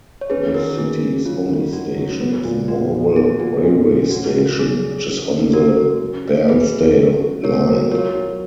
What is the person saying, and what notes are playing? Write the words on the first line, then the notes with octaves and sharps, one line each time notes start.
The city's only station is Morwell railway station which is on the Bairnsdale line.
C#5
C#4 G#4 B4
D#3 F#4 A#4
D#3 G#4
F#3
C#4 F4
D#3
D#3 F#4
F#3
B3
A#2
A#2 F#4
F3
B3 G#4
A#2 F#4
A#2
F3
C#4 F#4
C#3
C#3 G#4
F#3
C#4
C#3
C#3 F#4 A#4
F#3
C#4
F#4
B2 G#4 B4
F#3
C#4
F#4
B2 A#4 C#5
F#3
F4 A#4 C#5
F#3